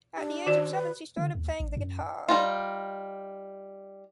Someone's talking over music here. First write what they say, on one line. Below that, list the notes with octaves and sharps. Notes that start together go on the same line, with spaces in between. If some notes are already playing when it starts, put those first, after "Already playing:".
At the age of seven she started playing the guitar.
D4 G4
D#3 F#4 D5
B4
D3
D#2
A1
F#2
G3 D#4 F4